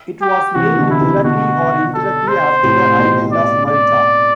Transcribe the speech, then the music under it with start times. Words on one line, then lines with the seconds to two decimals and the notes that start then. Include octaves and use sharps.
It was named directly or indirectly after the island of Malta.
0.21 G4
0.55 C3 E3 F#4
0.74 E3
0.78 B2 D3
0.90 D3 E4
1.01 C3 E3
1.24 B2 D3 F#4
1.94 A4
2.28 C5
2.63 A2 C3
2.87 A2
2.97 B2
3.32 D5
3.67 D5